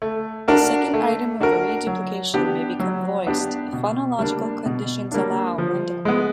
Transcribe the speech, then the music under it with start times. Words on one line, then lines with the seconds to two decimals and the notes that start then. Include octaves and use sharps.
The second item of the reduplication may become voiced if phonological conditions allow, rendaku.
0.02 A3
0.48 D4 F#4 A#4
0.94 A3
1.41 D4 F#4 A#4
1.87 F#3
2.34 B3 D4 G4
2.80 F#3
3.27 B3 D4 G4
3.73 B2
4.19 G3 A#3 D4
4.66 B2
5.11 G3 A#3 D4
5.58 F3
6.05 G#3 B3